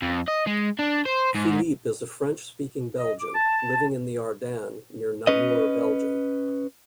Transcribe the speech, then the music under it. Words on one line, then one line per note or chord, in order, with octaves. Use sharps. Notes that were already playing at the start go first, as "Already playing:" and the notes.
Philippe is a French-speaking Belgian, living in the Ardennes near Namur, Belgium.
F2
D#5
G#3
D4
C5
G#2
D#5
D6
A5
C#4 B4 D#5